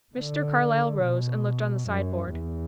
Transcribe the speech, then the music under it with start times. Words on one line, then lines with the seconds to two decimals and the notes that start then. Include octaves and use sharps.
Mr. Carlyle rose and looked on the side-board.
0.17 D3
1.03 B2
1.89 F#2
2.32 E2